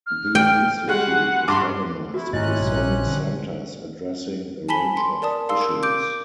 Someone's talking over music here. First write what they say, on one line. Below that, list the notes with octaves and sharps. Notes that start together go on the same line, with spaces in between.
The Institute is organized into seven centers addressing a range of issues.
F6
G5
G3 G#3 F#4 F#5
G2 C6 D6
A3 E4 F#4
G#2 C3 D#3 A3 C#4 E4 D#5 F#6
A#1 G3
D3 D4
G#5 A5 B5 B6 G7
C6
A#4 D5 A5 D#6
F5 C6 E6
A#4
D6 G6 D7